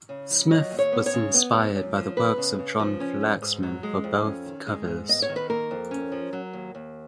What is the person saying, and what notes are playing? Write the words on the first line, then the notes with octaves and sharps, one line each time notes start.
Smith was inspired by the works of John Flaxman for both covers.
C#3
F3
F#3 D#5
D#2
C#5
B3
C#5
C#3
B3
F#2
F#2
F3
B3 B4
C#3
C#3
F3
C#4
G#2
G#2
F#3
G#3
F2
C#4
D#3
G#3
G#2
B3 D#5
C#5
D#3
B4
A#3 A#4
F2
C#4
F3
F#3
D#2
D#2